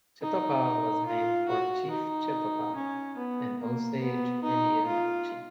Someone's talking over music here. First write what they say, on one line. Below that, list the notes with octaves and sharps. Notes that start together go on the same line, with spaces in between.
Chetopa was named for Chief Chetopah, an Osage Indian chief.
D#4
F4
F#4
D#4
C#4
B3
A#3
B3
D#4
F4